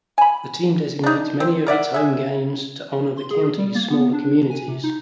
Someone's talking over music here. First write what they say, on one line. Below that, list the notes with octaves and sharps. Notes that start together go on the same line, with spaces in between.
The team designates many of its home games to honor the county's smaller communities.
G#5 B5
D4 D#4
C4
A#4 D5 E5 F#5
G#3 E5
C6
G#4
G3
A#3
B3
D4
G#5
C3
D#4